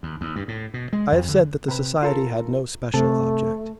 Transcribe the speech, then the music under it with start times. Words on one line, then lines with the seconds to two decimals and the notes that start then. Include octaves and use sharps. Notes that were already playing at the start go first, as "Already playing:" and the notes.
I have said that the society had no special object.
0.03 D#2
0.21 D#2
0.36 G2
0.48 A2
0.74 B2
0.93 G#3
1.12 F2
1.28 D3
1.68 C3 B4
2.03 F4 A4 A#4
2.94 C3 A3 A4